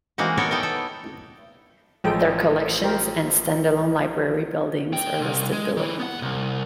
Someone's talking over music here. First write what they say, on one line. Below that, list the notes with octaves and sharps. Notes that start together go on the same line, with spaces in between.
Their collections and stand-alone library buildings are listed below.
E3 G#3 A#3 C4 D#4 F#4
B3 F#4 A4 A#4 C#5
B3 D#4 E4 A4 G5
A4
A1 F3 G#3 A4 G5
G4 A#4 C5
A2 G5
C2
G#3
D#3 E4
B3 F#5
C2